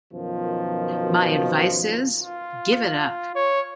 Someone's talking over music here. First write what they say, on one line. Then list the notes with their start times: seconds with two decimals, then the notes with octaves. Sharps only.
My advice is—give it up!
0.12 F#2 B2 D#3 F3
2.22 F4
3.35 C#5